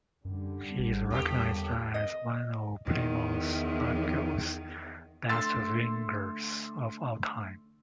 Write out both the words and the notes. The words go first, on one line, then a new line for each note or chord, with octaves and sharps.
He is recognised as one of Plymouth Argyle's best wingers of all time.
F#2 D3 G3
A1
E2 A2 A#3 G4
D#5
E2 D#3
D3 A3 C6 E6 A6